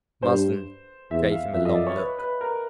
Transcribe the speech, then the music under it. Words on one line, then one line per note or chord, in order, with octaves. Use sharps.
Marsden gave him a long look.
G2 C5
E2 E5
F5
F2 E5
D#5
D5
C#5
B4
B4
A#4